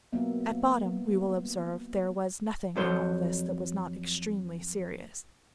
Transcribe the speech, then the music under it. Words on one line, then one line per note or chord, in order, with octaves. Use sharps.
At bottom, we will observe, there was nothing in all this that was not extremely serious.
F#3 A#3 B3 E5
F2 F#3 C5